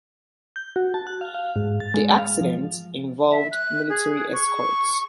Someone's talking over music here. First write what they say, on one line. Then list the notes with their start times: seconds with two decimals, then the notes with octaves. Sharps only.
The accident involved military escorts.
0.56 G6
0.76 F#4
0.94 A5
1.07 F#6
1.21 F5
1.35 F5
1.56 G#2
1.80 A6
1.94 G#3
2.18 F5
2.41 F3
3.31 E5
3.52 F#6
3.89 G#4
4.33 C#6